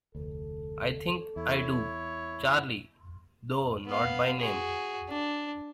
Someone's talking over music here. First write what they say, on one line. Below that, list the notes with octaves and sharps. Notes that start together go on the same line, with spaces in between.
I think I do, Charley, though not by name.
F1 D2 A4
E2 E4 C#5
B3 F5
F#4 G#4
D4